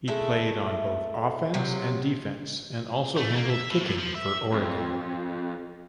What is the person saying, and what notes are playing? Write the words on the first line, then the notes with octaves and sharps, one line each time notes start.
He played on both offense and defense and also handled kicking for Oregon.
G#3 A3 E4 E5
C3 F3 F#3
A3
A#3
E5
A2
F#2
F3
E5
F2